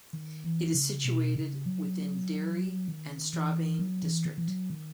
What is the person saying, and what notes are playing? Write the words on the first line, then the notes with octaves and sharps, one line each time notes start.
It is situated within Derry and Strabane district.
D#3
E3
C#3
B2
C#3
F#3
D#3
E3
F#3
E3
D#3
E3
F#3
D#3